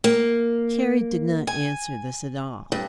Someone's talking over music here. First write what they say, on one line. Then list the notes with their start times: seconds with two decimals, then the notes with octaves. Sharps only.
Carrie did not answer this at all.
0.04 A#3
1.47 G#5
2.72 G2